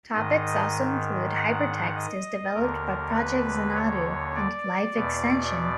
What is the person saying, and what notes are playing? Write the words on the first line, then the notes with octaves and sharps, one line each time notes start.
Topics also include hypertext as developed by Project Xanadu and life extension.
G#2 D#3 D#5
F#5
D#5
D#2 D3 A#4
B4
C#5
D5
E2 B2